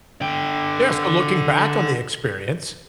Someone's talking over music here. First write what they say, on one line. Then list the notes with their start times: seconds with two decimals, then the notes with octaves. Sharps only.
Yes, so looking back on the experience,
0.21 D3 G5